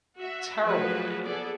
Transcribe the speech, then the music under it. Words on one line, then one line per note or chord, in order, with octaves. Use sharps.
Terrible writing.
F#4 E5
F3 F#3 A3 F#4 G#4 B4
B3 G#4 A4 D5